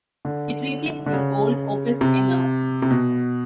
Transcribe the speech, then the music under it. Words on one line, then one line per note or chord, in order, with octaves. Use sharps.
It replaced the old opus nr.
D3
D3
C#3
C3
C3
B2